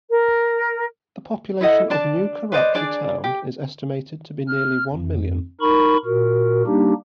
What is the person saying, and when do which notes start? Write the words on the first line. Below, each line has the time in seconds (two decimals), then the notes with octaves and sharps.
The population of New Karachi Town is estimated to be nearly one million.
0.10 A#4
1.61 E4 A4 D#5 F#5
1.90 D4 D5 A5
2.52 B4 C5 D5 D#5
2.75 D4 G#4 D5
3.24 G4
4.48 F6
4.92 F2
5.61 D#4 A#4 B5 C#6
6.05 A#2 F#4 A#4
6.66 G3 A#3 D4 D#4 G4